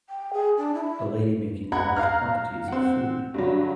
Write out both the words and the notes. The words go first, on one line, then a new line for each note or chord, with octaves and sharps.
A lady making large quantities of food.
G5
G#4
D4
E4
F#5 A#5 B5 G#6
F5 A#5 F6 F#6
C4 F#5
G2 D3 F#3